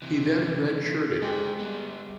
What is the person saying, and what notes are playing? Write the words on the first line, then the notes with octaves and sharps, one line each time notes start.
He then redshirted.
C3 E3
G#3 G4 A4 C5
G3 B3